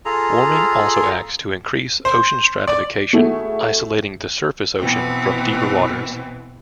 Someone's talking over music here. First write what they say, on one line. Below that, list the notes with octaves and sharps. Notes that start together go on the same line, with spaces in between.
Warming also acts to increase ocean stratification, isolating the surface ocean from deeper waters.
F4 G#4 A4 A#5
C5
D5
A3 E4 F#4 G#4 A4
B2 E3 C4